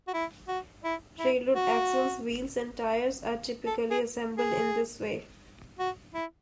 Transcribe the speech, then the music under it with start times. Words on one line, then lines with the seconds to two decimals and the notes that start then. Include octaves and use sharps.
Railroad axles, wheels, and tires are typically assembled in this way.
0.08 F#4
0.14 E4
0.48 F#4
0.84 E4
1.19 E4
1.55 F#4
3.67 A4
3.90 G#4
4.38 G#4
5.79 F#4
6.14 E4